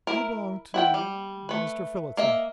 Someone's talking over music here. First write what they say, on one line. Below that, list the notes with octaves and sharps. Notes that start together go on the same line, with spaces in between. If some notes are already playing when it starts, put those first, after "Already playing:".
You belong to--Mr. Phillotson.
E4 A#4
E4 F#5 G5
G3
A3 B4
A#3 D#5 E5